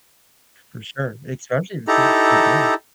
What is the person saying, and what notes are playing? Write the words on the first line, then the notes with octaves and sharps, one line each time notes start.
for sure. Especially if it's a good deal.
D#4 E4 G4 A4 A#5